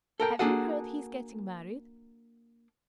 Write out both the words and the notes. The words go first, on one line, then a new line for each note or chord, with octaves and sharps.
Have you heard he is getting married?
A4 A#4 G5
A#3 D4 F#4 G#4 A4 F#5